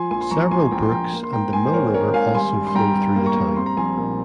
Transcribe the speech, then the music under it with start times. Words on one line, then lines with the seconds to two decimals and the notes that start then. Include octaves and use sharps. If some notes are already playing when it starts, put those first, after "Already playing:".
Several brooks and the Mill River also flow through the town.
Already playing: F3 G#5 C6
0.11 A#1 G#5 C6
0.21 C6
0.31 A#1 A#5 C#6
0.51 A#1 G#5 C6
0.71 A#1 G5 A#5
0.83 C6
0.91 A#1 G5 A#5
1.13 A#3
1.23 C6
1.33 G#2 G5 A#5
1.53 G#2 G#5 C6
1.66 C5
1.74 G#1 A#4 C#5
1.94 D#3 A#4 C#5
2.14 G#1 F5 G#5
2.34 G3 G#5 C6
2.55 G2
2.67 C6
2.75 G3 G5 A#5
2.95 G2
3.16 A#3
3.26 A#5 C#6
3.37 G3
3.56 C4 C6
3.66 A#5
3.77 A#1 G#5 C6
3.98 A#2